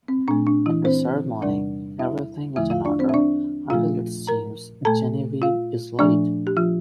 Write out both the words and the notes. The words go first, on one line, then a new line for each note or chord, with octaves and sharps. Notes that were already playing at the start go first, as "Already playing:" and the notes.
At the ceremony, everything is in order, until it seems Genevieve is late.
C4
A#2 A3 D4
D4
E3 E4
C4 C5
E2 C3 G3 D4 D5
E4 E5
E2 D3 F3 A3 E4 E5
F4 F5
D4 D5
C4 C5
E5
D4 D5
A#2 F3 A3 F4 F5
A#4 A#5
A#2 A3 A4 A5
F4 F5
A#2 F3 A3 D4 D5
G4
F3 F4